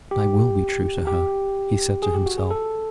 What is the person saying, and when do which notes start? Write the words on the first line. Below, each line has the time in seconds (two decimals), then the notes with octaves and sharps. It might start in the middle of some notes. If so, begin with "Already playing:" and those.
"And I will be true to her," he said to himself.
0.11 G4
1.07 G4
2.02 G#4
2.15 G4
2.26 F#4
2.38 G#4
2.51 A4